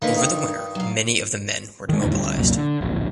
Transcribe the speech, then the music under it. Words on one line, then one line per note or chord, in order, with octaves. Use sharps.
Over the winter many of the men were demobilised.
D3 A#3 D#4 B4 C#5
G2 D#3
F#3 F5
D#3 G#3
E2 A2 D3 D#3
D2 G3
C2 F#2 A#2
D3
D1 A#1